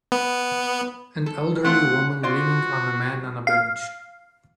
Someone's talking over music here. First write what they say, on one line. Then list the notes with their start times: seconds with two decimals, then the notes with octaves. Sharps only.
An elderly woman leaning on a man on a bench.
0.12 B3
1.26 A4
1.64 A3 C4 F4 F#5
2.23 F4 F#4 C5 D5
3.47 F5